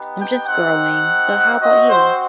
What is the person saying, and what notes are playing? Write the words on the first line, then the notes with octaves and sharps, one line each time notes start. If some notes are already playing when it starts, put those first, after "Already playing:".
I'm just growing, but how 'bout you?
Already playing: B3 D#4 G4
G5
C4 D#4 G4 F#5
C4 F#4 D#5
C5